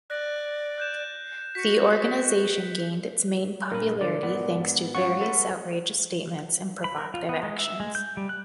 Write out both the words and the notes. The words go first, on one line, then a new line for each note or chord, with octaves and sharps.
The organization gained its main popularity thanks to various outrageous statements and provocative actions.
D5 F#6 A#6
F#6 G6 E7
F#4 B6 C#7
G2 A#2 A#4 B4
D3 A#4 D5
G#2 B3
G#2 C#4 F4 F#5 C#6
A4 B4
B5
A#4
F4
B3
G#3
E5
G#3
G6
G3
F#6